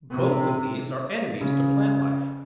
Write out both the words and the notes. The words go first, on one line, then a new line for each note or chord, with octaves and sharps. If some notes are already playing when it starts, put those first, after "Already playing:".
Both of these are enemies to plant life.
C3
C#3